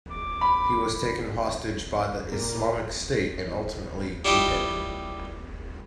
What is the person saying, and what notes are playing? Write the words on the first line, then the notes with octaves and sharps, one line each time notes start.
He was taken hostage by The Islamic State, and ultimately beheaded.
D6
B5
A#2
G3 E4 F4 G4 D#5